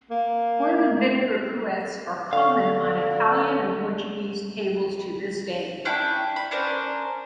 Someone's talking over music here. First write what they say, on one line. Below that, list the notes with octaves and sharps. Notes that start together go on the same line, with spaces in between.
Oil and vinegar cruets are common on Italian and Portuguese tables to this day.
A#3
D3 F5
C#4 D4 E4 G5
B5
C#4 D4 A#4 C5